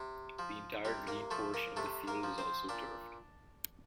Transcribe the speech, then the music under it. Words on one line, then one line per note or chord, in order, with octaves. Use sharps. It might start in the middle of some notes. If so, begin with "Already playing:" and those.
The entire green portion of the field is also turfed.
Already playing: C3
F3
C3 G3 G4
A#3 A#4
F3 A3 A4
A#3 A#4
C3 A3 A4
A#3 A#4
F3
C4 C5
A#2 D4 D5